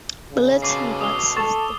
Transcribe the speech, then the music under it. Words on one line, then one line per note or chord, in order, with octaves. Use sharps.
Bulletin Board System.
C#3
B2 D3 C#6 D6 C7
D#6 E6 G7
A4 C#6 A6 E7